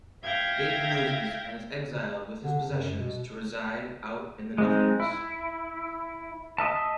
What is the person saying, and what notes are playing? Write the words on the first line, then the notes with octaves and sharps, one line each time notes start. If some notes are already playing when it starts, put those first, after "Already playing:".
Dave loses, and is exiled with his possessions to reside out in the nothingness.
E5 F5 G5 G6 G#6 A#6
D3
F#2
B2
G#3 C4 D#4
E4
D#5 E5 A5